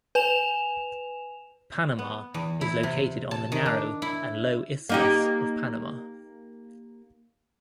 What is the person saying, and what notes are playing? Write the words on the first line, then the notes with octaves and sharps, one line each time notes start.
Panama is located on the narrow and low Isthmus of Panama.
B4 G#5 E7 F7
B3
E2
E4
C3
A5
D#3
D4
E4
A#3 D#4 G4